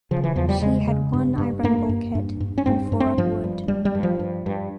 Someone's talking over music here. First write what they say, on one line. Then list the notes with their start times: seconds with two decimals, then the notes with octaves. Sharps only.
She had one iron bulkhead and four of wood.
0.11 C#3 F3
0.24 E3
0.36 E2 F3
0.49 G3
0.61 C#3 G#3
0.87 C#3
1.13 G2
1.38 G2
1.63 G2 A#3
1.89 G2
2.15 G2
2.40 G2
2.58 C#4
2.66 G2 C4
2.92 G2
3.00 C4
3.18 G2 F3
3.44 G2
3.68 G2 G3
3.85 G3
3.95 G2
4.03 F3
4.19 G2
4.46 G2